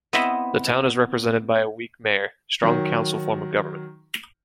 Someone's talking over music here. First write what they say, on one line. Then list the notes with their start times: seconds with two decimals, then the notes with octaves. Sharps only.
The town is represented by a weak mayor - strong council form of government.
0.13 B3 C4 E4 D#5 E5
2.62 D#3 F#3